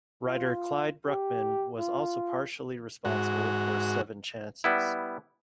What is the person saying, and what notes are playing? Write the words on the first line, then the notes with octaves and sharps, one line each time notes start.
Writer Clyde Bruckman was also partially responsible for "Seven Chances".
F4
G4
F4
G#2 F#4
G3 B3 E4